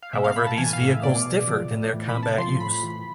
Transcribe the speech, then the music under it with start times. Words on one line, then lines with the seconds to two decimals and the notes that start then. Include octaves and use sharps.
However, these vehicles differed in their combat use.
0.03 F5
0.13 B2 E5
0.24 F5
0.36 B2 B5
0.47 A5
0.58 E3 G#5
0.73 F5
0.80 A2
0.88 E5
1.03 B2 D5
1.26 B2
1.48 F3
1.71 A2
1.93 E3
2.09 B5
2.16 C3
2.23 A5
2.38 F3 C6
2.49 C6
2.60 A2 B5
2.71 B5
2.83 E3